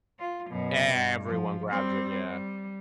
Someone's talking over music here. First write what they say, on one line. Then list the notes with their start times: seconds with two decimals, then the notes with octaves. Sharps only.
Everyone grabs it, yeah.
0.19 F4
0.49 F#2 B2
0.94 G2
1.26 F3
1.70 G3 C4
2.28 G3